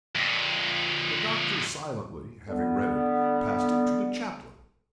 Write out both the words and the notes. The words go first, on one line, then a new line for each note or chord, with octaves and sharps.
The doctor silently, having read it, passed it to the chaplain.
F2 A#2
D3 G3 B3